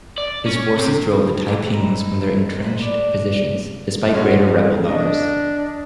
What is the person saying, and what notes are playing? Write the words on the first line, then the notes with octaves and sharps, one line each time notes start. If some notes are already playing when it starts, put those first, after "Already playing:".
His forces drove the Taipings from their entrenched positions, despite greater rebel numbers.
D5
C#4
C3 C4
A2 E3 G4
D3 E3 D#4 C5
B4 C5
D4
G#3 C#4 F#4
D4 D#5